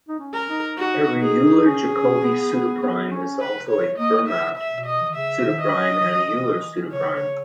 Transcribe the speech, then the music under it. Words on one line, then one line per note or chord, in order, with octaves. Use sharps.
Every Euler-Jacobi pseudoprime is also a Fermat pseudoprime and an Euler pseudoprime.
D#4
C#4
A#4
D#4
D#4 F#4
G#4
C#4 G#4
C#4
B3
B3
B3
C#4
B4
C#5
A#3 D#5
E5
E5
B2
D#5
E3
D#3
C#3 E5
D#3
D#5
F#3
E3
C#3 C#5